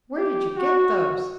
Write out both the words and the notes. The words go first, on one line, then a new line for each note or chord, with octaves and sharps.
Where did you get those?
G4
F#4